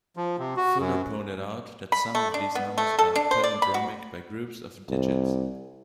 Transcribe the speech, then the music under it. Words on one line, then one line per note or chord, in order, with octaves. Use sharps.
Fuller pointed out that some of these numbers are palindromic by groups of digits.
F3
C3
F#4
F#2
B5
A3
D4
B3
A3
A4
D4
C5
D5
B5
F#4
C2